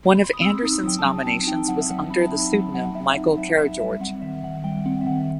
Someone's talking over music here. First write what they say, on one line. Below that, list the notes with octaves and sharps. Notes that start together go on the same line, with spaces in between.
One of Anderson's nominations was under the pseudonym Michael Karageorge.
B5
C6
D#6
C4 E6
D#4 D#6
E6
F#3 G5
A5
F#3
C4 A5
D#4 G5
F#3 F#5
E5
F#3 F#5
C4 B5
A5
D#4 B5
F#3 F#5
F#3 F#5
C4 E5
D#4
F#3 E5
F#3 E5
G3 E5
C4 F#5
D#3 E5
D#3 F#5
G3 G5
C4 F#5
E5
D#3 F#5